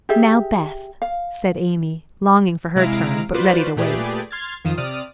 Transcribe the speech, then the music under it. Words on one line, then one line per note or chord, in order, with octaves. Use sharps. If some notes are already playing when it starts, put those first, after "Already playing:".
"Now, Beth," said Amy, longing for her turn, but ready to wait.
G4 G#4 E5
F5
C3 G#3 E4 F5 A#5 D7
F4 F#4 B4 C5 D5
A#2 A3 G4 G#4 B4 D5
C6 F6 G#6 A6
F2 D#3 F4 D#6 E7
C3 D5 D#6 F6 D#7